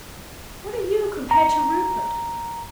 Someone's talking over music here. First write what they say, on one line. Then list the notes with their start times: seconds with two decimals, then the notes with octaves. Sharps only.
What are you compared to Rupert?
1.31 A#5